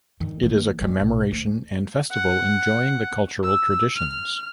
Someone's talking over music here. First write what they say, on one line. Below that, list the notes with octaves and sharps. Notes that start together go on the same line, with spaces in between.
It is a commemoration and festival enjoying the cultural traditions.
G2 D#3
D#3 A#3
G3 G#3
B1
D2
F#5
E6
F6